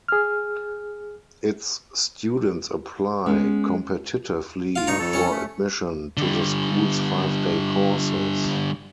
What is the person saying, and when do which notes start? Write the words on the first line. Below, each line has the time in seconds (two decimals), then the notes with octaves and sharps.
Its students apply competitively for admission to the school's five-day courses.
0.08 G#4 F6
3.26 G#3 B3 C#4
4.76 F4 F5
4.87 G2 D#4 C#5 A#5
4.99 F2 A4
5.13 C#4 C#5
5.30 A3
6.17 D3 G3